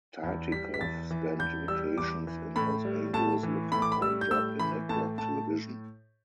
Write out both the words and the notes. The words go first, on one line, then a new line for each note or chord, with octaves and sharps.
Tartikoff spent vacations in Los Angeles looking for a job in network television.
E2
G3 B6
B6
E2 A6
E3
E2 G6
G3 E6
E2 D6
E3
A2 B5
G3
A2 A5
E3
A2 B5
D6
B5
G3 E6
G6
A2 E6
E3 B5
A2 A5
A2 A5